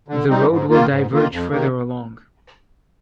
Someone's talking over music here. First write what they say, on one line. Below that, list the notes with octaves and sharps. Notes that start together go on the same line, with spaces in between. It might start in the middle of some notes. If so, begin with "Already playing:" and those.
The road will diverge further along.
D3
G3 C4 D#4
G#2
D#3 A#3 F4
G#2
D#3 A#3 F4
F2
C3 D#3 A#3